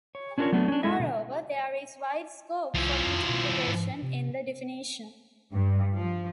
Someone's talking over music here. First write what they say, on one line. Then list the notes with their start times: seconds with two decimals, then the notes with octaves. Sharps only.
Moreover, there is wide scope for interpretation in the definition.
0.15 C#5
0.38 C#4 D4 F4 A4 A#4 C#5
0.52 F#3 A3 B3 D4
0.68 C#4 D4
0.83 G#3 E4 A4 D#5 E5
0.99 B2 D3
2.75 C2 F3 E4
3.06 F2
3.29 B2
3.67 G#2
4.02 C3
5.53 G2
5.96 F3